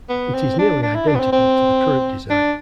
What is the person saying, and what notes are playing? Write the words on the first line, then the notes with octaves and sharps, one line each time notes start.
It is nearly identical to the current design.
B3
C4
D4
D4
E4
D4
B3
C4
C4
D4